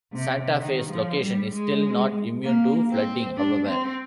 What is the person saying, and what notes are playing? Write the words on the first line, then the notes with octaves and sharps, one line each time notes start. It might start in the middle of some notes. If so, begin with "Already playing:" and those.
Santa Fe's location is still not immune to flooding, however.
C3
D#3
F3
G3
G#3
A#3
C4
D4
C4